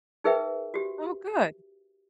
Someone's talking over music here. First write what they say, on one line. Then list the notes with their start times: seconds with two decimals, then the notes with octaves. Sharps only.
Oh, good.
0.24 D#4 G#4 A#4 B4 E5 G5
0.74 F#4 G4